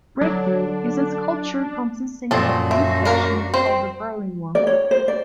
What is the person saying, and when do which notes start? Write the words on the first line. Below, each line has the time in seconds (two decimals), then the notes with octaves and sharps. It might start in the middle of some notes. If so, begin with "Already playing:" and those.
"Breakthrough" is a sculpture consisting of eight sections of the Berlin Wall.
0.21 D3 F#3 D4
2.31 F#2 A#2 F3 C4 F#4 A4
2.71 E5
3.05 A#3 D4 A#4
3.54 C4 C5
4.55 D5
4.67 C#5
4.91 C5
5.08 D5